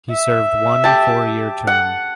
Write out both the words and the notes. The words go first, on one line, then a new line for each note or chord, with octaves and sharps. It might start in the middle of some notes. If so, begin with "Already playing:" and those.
He served one four-year term.
E5
G4 A5
F#5